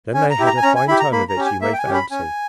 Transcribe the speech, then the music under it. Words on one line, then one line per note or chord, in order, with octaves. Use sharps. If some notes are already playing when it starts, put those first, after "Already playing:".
Then they had a fine time of it, you may fancy.
C#4 G#5
A#5
E4 G4
A#5
G#5
C#4 A#5
G#5
E4 G4 B5
A#5
A#3 B5
A#5
C#4 G4
G#5
A#3 E5
G5
G#5
C#4 G4
B5
C#4 G#5